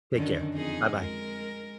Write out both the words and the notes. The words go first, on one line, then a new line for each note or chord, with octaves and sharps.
Take care. Buh-bye.
F#2 D3 D#3
F2 D#4 G#4
G#3 A#4